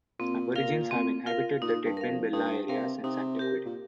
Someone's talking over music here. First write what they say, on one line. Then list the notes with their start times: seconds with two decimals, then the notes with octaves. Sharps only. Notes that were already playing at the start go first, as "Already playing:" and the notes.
Aborigines have inhabited the Tidbinbilla area since antiquity.
0.20 A#2 C4
0.55 F4 A#4 F5
0.91 C4
1.26 F4 A#4 F5
1.62 A#2 D#4
1.85 G2
1.97 A#4 F5
2.09 F2
2.33 G2 D#4
2.68 C3 A#4 F5
3.04 C3 D#4
3.39 G4 A#4
3.65 A#2